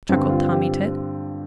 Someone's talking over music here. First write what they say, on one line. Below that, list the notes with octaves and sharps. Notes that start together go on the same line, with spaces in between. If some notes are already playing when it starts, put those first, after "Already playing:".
Chuckled Tommy Tit.
G2 D3 C4
F4
G4